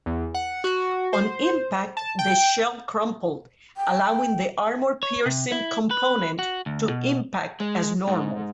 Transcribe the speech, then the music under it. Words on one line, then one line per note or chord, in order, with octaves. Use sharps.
On impact the shell crumpled, allowing the armour-piercing component to impact as normal.
E2
F#5
F#4
C5
A5
G5
G5
C#5
C3
E4
B4
F#4
D2
B2
G#3
G#2